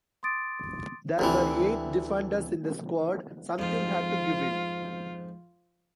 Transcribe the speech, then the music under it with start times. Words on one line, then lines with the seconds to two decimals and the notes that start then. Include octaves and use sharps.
There were eight defenders in the squad, something had to give in.
0.23 C6 D6 D#6 A6 D7
1.19 D2 C3 E3
3.59 F2 G#2 F4